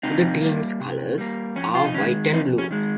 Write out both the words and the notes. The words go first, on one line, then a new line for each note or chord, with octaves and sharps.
The team's colors are white and blue.
C3 C4 D#4
G3 A#3
C3
G3 A#3
F2 C#4
F4
D#4
D#3 G#3 C#4
F2 C4 D#4
C#4
D#3 G#3